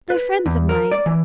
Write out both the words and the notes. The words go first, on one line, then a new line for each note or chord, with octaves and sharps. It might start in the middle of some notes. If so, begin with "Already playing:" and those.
They're friends of mine.
B4
E2
A#4
D5
E3